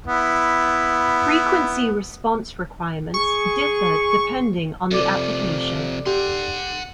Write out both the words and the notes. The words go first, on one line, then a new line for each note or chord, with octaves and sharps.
Frequency response requirements differ depending on the application.
B3 E4
G#4 C#6
C3 F3 A4 D5 D6
G4 F#5 C6